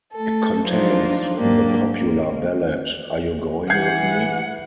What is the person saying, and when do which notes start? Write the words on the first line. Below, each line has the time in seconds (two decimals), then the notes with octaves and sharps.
It contains the popular ballad "Are You Going With Me?".
0.13 A3 A4
0.64 F3 F#3 D4 D#4 F4 C5
1.37 G#2 F#3 A#3 D4 G4
1.93 A#3
3.70 E3 F#5 G6 G#6 C7